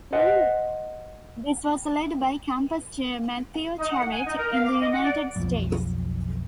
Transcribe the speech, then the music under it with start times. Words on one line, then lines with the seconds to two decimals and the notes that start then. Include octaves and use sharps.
This was led by campus chair Matthieu Charette in the United States.
0.13 C5 D#5 F#5
3.77 D#4
3.90 F#5
4.11 G#5
4.25 D#4
4.37 A#4
4.51 F5
4.65 D6
4.80 D#5
4.91 F#5
5.03 D5
5.36 B1 F2